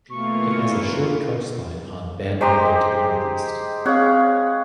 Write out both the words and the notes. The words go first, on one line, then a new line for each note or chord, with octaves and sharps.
It has a short coastline on Bandon Bay to the northeast.
B2 E3 A3 A#3 F4 C#6
G#3 G4 C5 A#5 C6
C4 G#4 C#5 F5 F#5